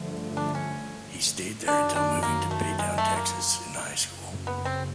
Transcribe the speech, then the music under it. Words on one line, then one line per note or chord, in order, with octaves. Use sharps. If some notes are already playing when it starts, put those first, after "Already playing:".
He stayed there until moving to Baytown, Texas in high school.
Already playing: G2 D3 F3 A3
D4
C#4
F#2 D#3 F#3 D4
D4
A#3
A3
G#3
A3
A#3
F#1 F#2 C#3
B3
C4